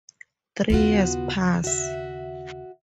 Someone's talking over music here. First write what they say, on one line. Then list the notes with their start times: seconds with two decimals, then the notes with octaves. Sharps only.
Three years pass.
0.70 D#2 C#3 B3 F4 F#4
1.64 F#4 E5